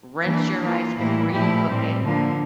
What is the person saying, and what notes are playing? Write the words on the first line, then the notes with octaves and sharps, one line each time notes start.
Rinse your rice before you cook it,
E3 A#3 D4
E3 A#3 F4
A2 E3 G3 A#3 E4
A#2 F3 A3 E4 G4
A2 G3 C4
D3 F3 A#3